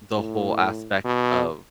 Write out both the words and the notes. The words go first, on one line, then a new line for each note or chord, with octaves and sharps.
the whole aspect of
A2
B2